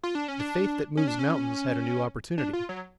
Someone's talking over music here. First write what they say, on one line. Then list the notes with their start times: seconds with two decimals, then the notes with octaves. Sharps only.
The faith that "moves mountains" had a new opportunity.
0.04 F4
0.15 D4
0.28 C#4
0.40 D4
0.97 C#4
1.08 D4
1.19 C#4
2.38 D4
2.53 F4
2.69 F#3